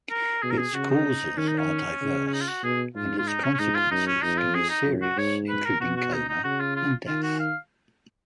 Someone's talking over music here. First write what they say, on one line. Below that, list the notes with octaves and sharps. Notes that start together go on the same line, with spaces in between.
Its causes are diverse, and its consequences can be serious, including coma and death.
A#4
B2 G#4
A#4
G#4
C#3 F#4
D#4
D#3 C#4
D#4
C#4
C#3
C#4
D#4
F4
F#4
B2 G#4
G#2 F4
F4
D#4
C#4
C#4
G#2 D#4
F4
F#2 D#4
C#4
F2 D#4
F4
G#4
D#4
F#2
F#4
G#2 C#5
B4
A#4
B2 F#4
F#4
D#4
D#4
C#3 F#4
F4
F4
D#3 F4
F#4
F5